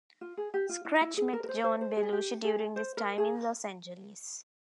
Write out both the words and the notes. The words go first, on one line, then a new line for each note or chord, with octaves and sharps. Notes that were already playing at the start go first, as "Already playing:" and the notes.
Scratch met John Belushi during this time in Los Angeles.
F4
G#4
G4
F4
E4
E4
G#4
A#4
A#4
C5
C5
C5
G#4
G4
G#4
C5
A#4
G#4